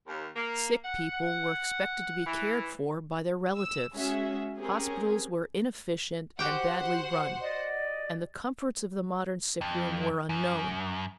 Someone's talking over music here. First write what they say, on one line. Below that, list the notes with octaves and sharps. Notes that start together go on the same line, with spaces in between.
Sick people were expected to be cared for by their relatives; hospitals were inefficient and badly run, and the comforts of the modern sickroom were unknown.
D#2
A#3
F#5
E3
E6
G#3 C#4 F#4 G#4 E5
C4 C#4 G4 G#4 A#4
F#4 G4 C5 F#5 G5
D5 D#5
F2
F#2